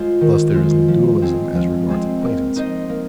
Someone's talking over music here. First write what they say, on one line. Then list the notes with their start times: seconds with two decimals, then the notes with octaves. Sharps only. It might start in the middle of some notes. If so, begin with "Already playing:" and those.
Thus there is no dualism as regards acquaintance.
Already playing: G#3 F4 C5
0.21 D#3
0.54 G#3 F4 C5
0.88 F3
1.22 G#3 C4
1.55 F3
1.88 G#3 C4
2.23 A#3
2.56 D#4 C5 D#5
2.89 A#3